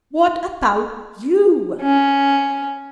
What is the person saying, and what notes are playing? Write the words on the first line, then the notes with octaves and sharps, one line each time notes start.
What about you?
C#4